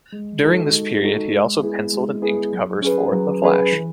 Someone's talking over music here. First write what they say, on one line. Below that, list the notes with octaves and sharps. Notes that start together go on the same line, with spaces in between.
During this period he also penciled and inked covers for "The Flash".
G#3
D#4 F#4 A4
G#3
D#4 F#4 A4
G#3
B3 E4 G#4
G#3
B3 E4 G#4
F#3
C#4 G#4 B4
F#3
C#4 G#4 B4
E3